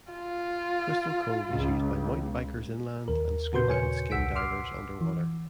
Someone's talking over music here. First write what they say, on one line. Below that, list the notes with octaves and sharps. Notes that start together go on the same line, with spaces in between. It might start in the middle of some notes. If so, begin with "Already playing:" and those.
Crystal Cove is used by mountain bikers inland and scuba and skin divers underwater.
F4
C#2
D#2 A#4
A#2 C#3 F#4 B4 C6 G6
D#2 C#5 G#5 C#7
C2 F#5 E6 B6 D7
C6 D6 E6 F6 C7
E3